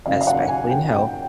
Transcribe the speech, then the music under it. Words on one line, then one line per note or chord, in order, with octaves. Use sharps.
especially in health,
F#1 F#2 D#3 F#3 F5
F5
F#5
G#5
G5
G5